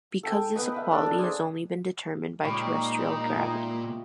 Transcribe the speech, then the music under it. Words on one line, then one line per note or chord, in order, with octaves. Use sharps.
Because this equality has only been determined by terrestrial gravity.
A4 G5 G#5
B3 B4 D#5
B4 E5 F5
D4 A4 D5
A4
D4 G#4 C5
A#2 G3 G#3 D#4 B5 C#6
E4 F4 D#5